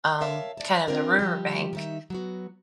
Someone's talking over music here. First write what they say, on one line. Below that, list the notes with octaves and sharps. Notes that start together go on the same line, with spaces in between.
um, kind of the riverbank
A#4 C#5 E5 F5 A5
D5 A5
C4 D4 F4 A#4 C5
D#3 F3 G3 G4
D#3 D#4 E5
F#3 B3 F#4